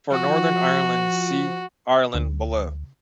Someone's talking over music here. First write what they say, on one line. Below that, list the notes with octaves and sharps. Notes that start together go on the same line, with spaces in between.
For Northern Ireland, see Ireland below.
F3 F#4
D2